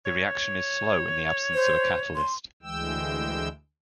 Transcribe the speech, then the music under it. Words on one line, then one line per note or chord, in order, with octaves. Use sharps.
The reaction is slow in the absence of a catalyst.
C#5
C5
C6
D2 E3 G#3 G5 E6